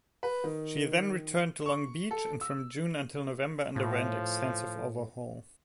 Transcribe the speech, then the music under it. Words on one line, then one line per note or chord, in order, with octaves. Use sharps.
She then returned to Long Beach and from June until November underwent extensive overhaul.
B4
D#3
C#6
A4
E6
A2 F3